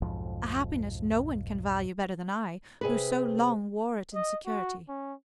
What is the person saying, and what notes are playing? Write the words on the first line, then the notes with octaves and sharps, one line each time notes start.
A happiness no one can value better than I, who so long wore it in security.
B1 F2 G#2 F3
C3 G#4 B4
D#5
F#4
C#4